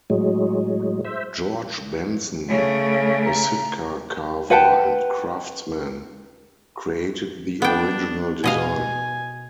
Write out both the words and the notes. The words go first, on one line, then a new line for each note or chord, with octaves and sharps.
George Benson, a Sitka carver and craftsman, created the original design.
A2 F#3 G#3
C5 E5
C#3 A3 C#5
A#5
B4 F#5 G5 A5
B3 D4 G5
B2 D#5 F5 G#5